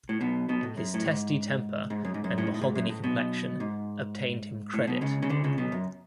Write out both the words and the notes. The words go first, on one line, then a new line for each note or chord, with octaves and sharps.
His testy temper and mahogany complexion obtained him credit.
A2
B1 B2
B1 B2
A2
F#2
A2
G#2
G#2
F#2
G#2
F#2
A2
G#2
A2
G#2
F#2
A2
B1 B2
G#2
A2
B1 B2
C#2 C#3
C#3
D2 D3
C#2 C#3
B1 B2
F#2